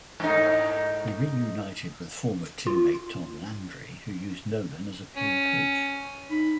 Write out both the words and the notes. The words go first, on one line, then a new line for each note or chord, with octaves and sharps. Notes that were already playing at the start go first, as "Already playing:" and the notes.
He reunited with former teammate Tom Landry, who used Nolan as a "player-coach".
G#2 D#4
F4
C#4
D#4 B5